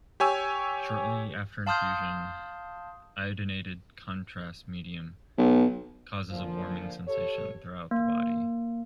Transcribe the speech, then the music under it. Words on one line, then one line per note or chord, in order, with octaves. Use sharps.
Shortly after infusion, iodinated contrast medium causes a warming sensation throughout the body.
G4 C#5 G#5 E6
F5 A5 C6 D#6 F6 G6
B1
A#2 D3 F3
G4 A4 C#5
A#3